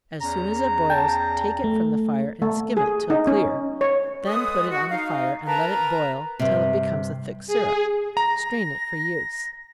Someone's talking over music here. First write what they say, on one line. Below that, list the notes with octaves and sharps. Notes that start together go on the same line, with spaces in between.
As soon as it boils, take it from the fire, and skim it till clear--then put it on the fire, and let it boil till it becomes a thick syrup--strain it for use.
E2 C#4 A#5
G5 A5
A3
A3
G#4
D#4
C#4
C#5
G#3 F#4 A4 B4 D#6
F#4
D#4 F5
A#4 B4 A5 A#5
G2 C3
G#4
A#5 A#6